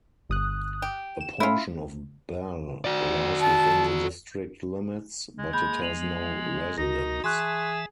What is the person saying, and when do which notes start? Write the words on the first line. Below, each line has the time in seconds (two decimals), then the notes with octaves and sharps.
A portion of Bell lies within the district limits, but it has no residents.
0.29 G1 D#6 F#6
0.82 G4
1.21 E7
1.40 A3 C#4 E4 F4
2.85 F#4 D5
3.41 A5
5.39 G#3
5.53 A#3 G#4 B5 G6
5.82 F3 B3 D#7 F7 F#7
6.78 C#2 D#4 F#4 A#4 A#6
7.24 E3 G#4 E5 A5 C6 C#6 F#6